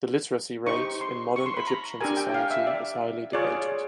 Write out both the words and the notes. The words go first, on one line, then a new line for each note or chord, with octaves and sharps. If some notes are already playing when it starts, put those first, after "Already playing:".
The literacy rate in modern Egyptian society is highly debated.
D#4 G4 C5 C#6
C6
C#6
C6
B5
A#5
D4 G4 A#4 G#5
G5
F5
E5
D5
F4 G#4 C#5 D5